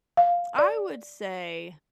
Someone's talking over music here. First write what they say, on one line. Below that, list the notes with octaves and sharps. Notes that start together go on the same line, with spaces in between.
I would say,
F5
D5